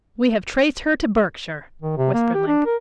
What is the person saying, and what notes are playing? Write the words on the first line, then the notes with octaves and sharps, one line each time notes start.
"We have traced her to Berkshire," whispered Link.
D#3
C3
A#3
G4
D4
A#4